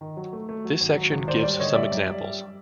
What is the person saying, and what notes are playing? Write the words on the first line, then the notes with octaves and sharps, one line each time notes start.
This section gives some examples.
D#3
F#3
A3
A3
F#3
G#1
F#3
G#1
D#2 C5 D5
G3 C5 D5
D3 C#5 D#5
G3 D5 E5
F#2
G3
G3